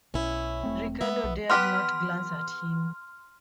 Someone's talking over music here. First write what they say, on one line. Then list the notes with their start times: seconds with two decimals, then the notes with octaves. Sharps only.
Ricardo dared not glance at him.
0.14 B1 C#4 E4
0.63 E1 A3 C4
1.01 G#3 B3 E5
1.24 B1
1.50 B3 G4 B4 C6 F6